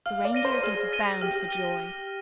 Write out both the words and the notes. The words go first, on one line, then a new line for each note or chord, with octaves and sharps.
The Reindeer gave a bound for joy.
F5 F6
D5
A#6 D#7 G7
C5
G#4 F6
A#6 D#7 G7
G4 F6
A#6 D#7 G7
F6